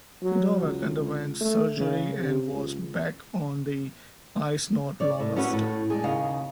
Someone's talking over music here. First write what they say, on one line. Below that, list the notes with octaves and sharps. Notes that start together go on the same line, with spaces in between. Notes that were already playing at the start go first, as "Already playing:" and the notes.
Fedoruk underwent surgery and was back on the ice not long after.
F#3
C#2
A3
C#3
C3
C#2
C#5 D5
A2
A3 B3 C#4 E4 F#4 B4
A2
G#3 D4 G#4
D#2 C#3 D#5 F5